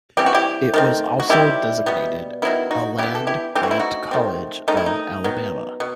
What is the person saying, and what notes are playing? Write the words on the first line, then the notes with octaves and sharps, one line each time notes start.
It was also designated a land grant college of Alabama.
E3 G3 C4 G4
F#4
E4 G4
D#3 A3 C4
F#4
D#3 G3 C4 E4 G4
B2 G3 B3
D#3 F#3 B3 E4
D#4 F#4
E3 B3 E4 G4
A4
E4 G4
E3 A3 C4 G4
F#4
E4
D#4 F#4
D#3 A3 C4
D#3 A3 C4 D#4
E4
D#4
D#3 F#3 B3
B2